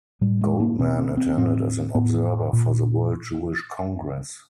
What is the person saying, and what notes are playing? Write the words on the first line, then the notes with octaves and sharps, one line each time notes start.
Goldman attended as an observer for the World Jewish Congress.
A2 G3
G#3
A#3
B2 C4
C4
C4
A2 C4
A2 B3
A#2